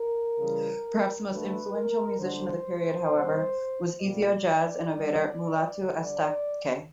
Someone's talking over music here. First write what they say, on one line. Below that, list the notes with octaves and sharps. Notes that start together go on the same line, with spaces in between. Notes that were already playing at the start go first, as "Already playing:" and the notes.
Perhaps the most influential musician of the period, however, was Ethio-jazz innovator Mulatu Astatke.
Already playing: A#4
C#3 E3 G3
D3 F#3 A3 B4
A#4
D3 G3 C5
C3 D#3 G3
A#2 G3 D5
D3 G3
D3 G3 D5